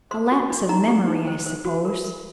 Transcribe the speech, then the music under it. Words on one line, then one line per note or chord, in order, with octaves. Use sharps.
A lapse of memory, I suppose.
C5 C6
F#4
D4
D#4 A#5
G4
D#4
C5
C5
F#4
A#4
A#4